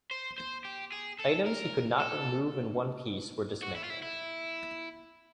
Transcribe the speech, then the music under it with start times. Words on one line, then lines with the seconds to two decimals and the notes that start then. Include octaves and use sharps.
Items he could not remove in one piece were dismantled.
0.11 C5
0.38 C5
0.65 G4
0.92 G#4
1.19 A4
1.46 A#4
2.00 A4
3.63 F#4
3.76 E4
3.84 F4
3.90 E4
4.03 E4